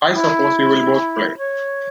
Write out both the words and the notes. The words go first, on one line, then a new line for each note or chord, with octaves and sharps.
I suppose you will both play.
E4
C#5